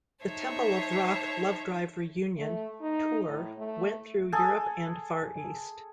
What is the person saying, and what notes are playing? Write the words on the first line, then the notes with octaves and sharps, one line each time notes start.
The "Temple of Rock - Lovedrive Reunion" tour went through Europe and Far East.
D#4 C5 C#5 E5 A5
A3
D#4
A2
A3
G#4 A4 G#5